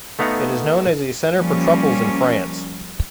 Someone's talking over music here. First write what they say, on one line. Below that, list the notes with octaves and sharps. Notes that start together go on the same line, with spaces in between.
It is known as a centre for truffles in France.
A3 B3 D#4 F5 F#5
F3 G3 A#3 C#4